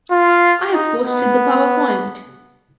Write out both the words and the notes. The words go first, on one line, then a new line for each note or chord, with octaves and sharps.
I've posted the powerpoint.
F4
D#4
B3